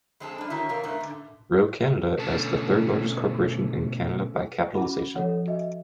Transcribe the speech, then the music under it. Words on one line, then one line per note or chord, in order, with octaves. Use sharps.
Roe Canada as the third largest corporation in Canada by capitalization.
F2 G#3 C4 G#4 A5
G3 D4
D#3 F#3 E4
C3 E3 F#3 F4 A#4
G2 A3 B3 D#4
D3
B2 D3 A3 C#4 A5
C#4 E4 F#4 F#5 B5
F3 A4 C#5 F#5
F#4 D#5 E5